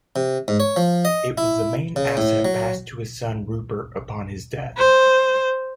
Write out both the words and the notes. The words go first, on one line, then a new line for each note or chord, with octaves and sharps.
It was the main asset passed to his son Rupert upon his death.
C3
G#2
C#5
F3
D#5
E4
C#3
A2
F#3
C5